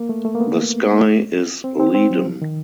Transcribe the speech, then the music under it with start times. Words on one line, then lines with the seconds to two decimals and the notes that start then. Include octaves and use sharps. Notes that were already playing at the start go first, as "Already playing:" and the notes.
The sky is leaden.
Already playing: A#3
0.09 A3
0.25 A3
0.35 A#3
0.40 B3
1.64 C4
1.80 C4
1.95 C4
2.10 F#3
2.26 F3
2.42 D#3